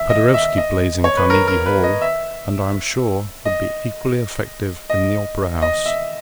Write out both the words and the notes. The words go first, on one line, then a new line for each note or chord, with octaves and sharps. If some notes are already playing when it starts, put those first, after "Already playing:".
Paderewski plays in Carnegie Hall, and, I am sure, would be equally effective in the Opera House.
Already playing: E5
D#5
E5
D#5
C#5
B4
A#4
A#4
B4
D#5
E5
D#5
D#5
D#5
E5